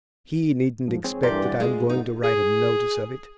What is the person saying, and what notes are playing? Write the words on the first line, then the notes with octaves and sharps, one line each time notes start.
He needn't expect that I'm going to write a notice of it.
F2 G#2 F3
C4 G#4 C#5
G2 E3 G4 A4 A#4 D5 C6
F#5 A6
G#3 A3 F4 G#4
G2 D3 D#4
G#4